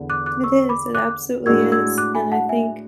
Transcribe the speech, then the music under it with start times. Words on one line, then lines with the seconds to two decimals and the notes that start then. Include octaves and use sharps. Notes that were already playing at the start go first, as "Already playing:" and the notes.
It is, it absolutely is, and I think
Already playing: E2 D3
0.10 D6 F#6
0.26 D6 F#6
0.44 C#6 E6
0.69 B5 D6
0.95 D6 F#6
1.46 A2 G#3 D4 F#4 E6 G#6
1.72 E6 G#6
1.98 D6 F#6
2.15 G#5 B5
2.32 F#5 A5
2.49 E5 G#5